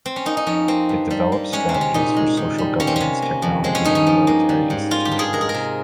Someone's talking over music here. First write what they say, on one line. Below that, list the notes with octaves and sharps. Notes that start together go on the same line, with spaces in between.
It develops strategies for social governance, technology, and military institutions.
C4
C#4
A#3 D#4
D#4
F2 C#4
A#3 C4
G2
G3
A#3
G#3 C#4
C4
C3
C#4
A#2 D#4
G#3
D#3
G3
A#3 C#4
C4
C3 C#4
A#3
F2
G#3 C4
C#4
G2 D#4
C#4
F3
A#3
G3
G#2
A#3 F4
G4
G2
G#4
G#3 A#4
G#4
A#4
C3